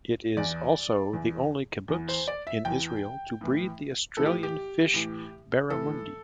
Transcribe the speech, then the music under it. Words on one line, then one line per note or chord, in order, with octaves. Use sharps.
It is also the only Kibbutz in Israel to breed the Australian fish Barramundi.
E2 E3 D5
E2 E3
E2
E3
C5
D5
E5
E2 E3 G5
A2 E3
A2 E3 A4
G4
G4
A2 E3
A2 E3 A4